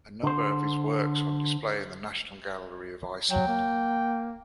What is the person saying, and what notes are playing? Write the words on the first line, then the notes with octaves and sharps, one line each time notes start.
A number of his works are on display in the National Gallery of Iceland.
D3 C5
F#3 G5
A#3